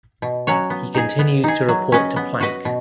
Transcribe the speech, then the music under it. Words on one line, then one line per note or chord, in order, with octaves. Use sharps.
He continues to report to Plank.
B2
F#3 C#4 F#4 C#5
B3
D#4 G#4
B3
D#4 G#4
F#3
C#4 B4 D#5
B3
F#4 B4 D#5
B2